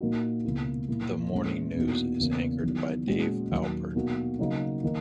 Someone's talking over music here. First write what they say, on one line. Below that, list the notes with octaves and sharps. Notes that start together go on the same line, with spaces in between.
The morning news is anchored by Dave Alpert.
A#2 A#3 D#4 F#4
C#2 B2 A#3 E4
A#2 A#3 E4
A#2 G#3 C#4 E4
E2 B2 A#3 D#4 F#4
E2 C#3 E3 A#3 C#4
E2 D#3 F#3
A#2 G#3 C#4 F#4
D#2 D#3 F#3
B2 A#3 D#4 F#4
C#3 F#3 A#3 D#4 F#4
D#3 A#3 D#4